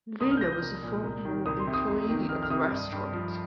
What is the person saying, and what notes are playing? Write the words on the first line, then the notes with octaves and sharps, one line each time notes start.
Luna was a former employee of the restaurant.
C2 D#6
F6
G6
F3 A#6
G6
C2
A#2
C2
D#3
C2 D#6
C6
C3
D#6
F2
D#3
F2 F6
F6
C3 D#6
G2
G2
F3